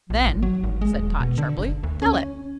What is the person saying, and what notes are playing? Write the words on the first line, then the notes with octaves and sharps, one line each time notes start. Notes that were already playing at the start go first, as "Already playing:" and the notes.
"Then," said Tot, sharply, "tell it!"
A#1
G#1
F#3
G#1
G#3
D#1
B2
D3
F#1
D2
C#4